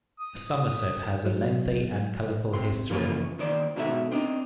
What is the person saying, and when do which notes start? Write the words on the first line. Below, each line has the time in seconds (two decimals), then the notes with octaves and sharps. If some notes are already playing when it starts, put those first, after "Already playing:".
Somerset has a lengthy and colorful history.
0.20 D#6
1.25 F#3
2.54 C3 C6
2.90 C#3 E3 F3 A#3 C#4 F4
3.38 D#2 D#3 C5 D5
3.76 G#2 B2 D#4 F#4 A4 E5
4.12 C4 D4 D#4